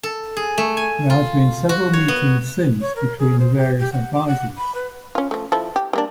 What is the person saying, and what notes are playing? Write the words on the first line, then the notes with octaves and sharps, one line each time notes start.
There has been several meetings since between the various advisers.
A4
G#4
A3
G#5
F4
F#4
C#5
B3
C#5
A#4
G#4
C5
G4
G4
F#5
D6
F#5
B5
B4
C#4 F4
F3 A3
F3 E4 A4
G4
G3 A#3 D4